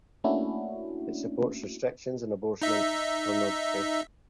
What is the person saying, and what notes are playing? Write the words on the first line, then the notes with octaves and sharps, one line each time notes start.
It supports restrictions on abortion and pornography.
A3 A#3 C#4 D4 E4 F#4
D#4 E5